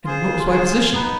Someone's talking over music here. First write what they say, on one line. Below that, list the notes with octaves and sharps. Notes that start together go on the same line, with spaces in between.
And what was my position?
F4 G#4 C5
F4 G#4 C5
B3 D#4 B4